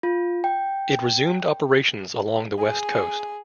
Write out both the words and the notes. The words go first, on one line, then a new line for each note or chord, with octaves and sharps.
It resumed operations along the west coast.
F4
G5
G#4